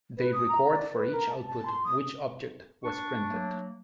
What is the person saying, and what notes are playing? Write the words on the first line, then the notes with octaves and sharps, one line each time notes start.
They record for each output which object was printed.
B4
D#6
A#5
D5
B4
A#4
A5
A5
C6
D#6
D4 C#6
F#3 A3 A#3